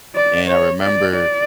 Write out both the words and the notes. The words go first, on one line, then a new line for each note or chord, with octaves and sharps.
and I remember,
D5
C#5
D5
D5